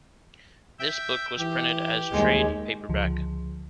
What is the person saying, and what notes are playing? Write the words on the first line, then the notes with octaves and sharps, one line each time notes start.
This book was printed as a trade paperback.
E5 G5
E3 G4
D#2 G#3
C#2 D3 F3